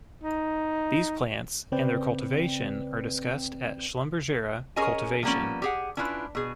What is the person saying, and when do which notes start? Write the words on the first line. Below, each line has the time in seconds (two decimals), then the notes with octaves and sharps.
These plants and their cultivation are discussed at "Schlumbergera:" Cultivation.
0.24 D#4
1.72 C#3 C4 B4 D5 G5
4.76 C#4 G#4 A#4 C#5 D#5 G#5
5.23 F3 G3 A#3 B3 C#4
5.62 G4 G#4 F#5
5.97 C#4 D4 E4 F4 B4
6.35 B2 G#4